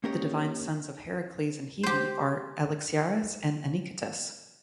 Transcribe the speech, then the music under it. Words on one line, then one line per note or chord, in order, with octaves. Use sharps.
The divine sons of Heracles and Hebe are Alexiares and Anicetus.
A#3 C#4 G4 A#4 C#5 D#5
G4 C5